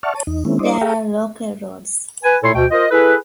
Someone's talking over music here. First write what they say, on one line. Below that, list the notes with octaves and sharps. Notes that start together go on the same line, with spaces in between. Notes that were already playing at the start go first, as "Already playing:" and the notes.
There are local roads.
D5 E5 F#5 A5 C#6 F6
C#5 A5
E2 D#4
D#3 G#3 A#3 C4 C#4 E4
G3 D4 E4 C5 D5 D#5
G#4 A4 E5 F5 G5 A#5
B4 G#5
A#2 A3 E4 A4 C#5 C6
D2 B2 G5
F4 A#4 C5 D#5
E4 G#4 A4 B4